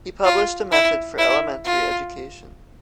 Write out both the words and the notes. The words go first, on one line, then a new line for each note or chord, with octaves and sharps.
He published a method for elementary education.
F4
E4
E4
F4